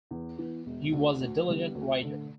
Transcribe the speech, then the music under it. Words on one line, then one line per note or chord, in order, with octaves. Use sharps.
He was a diligent writer.
E2
E3 B3
E1
D2 D3 A3 D4
D2
D3 G3 B3
D2
D3 A3